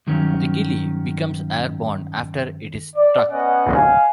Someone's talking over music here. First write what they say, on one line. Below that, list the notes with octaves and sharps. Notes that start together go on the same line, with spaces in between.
The "gilli" becomes airborne after it is struck.
G2 D#3 F#3 C#4
D5
B3 C#4 D#5 F#5
F5 G#5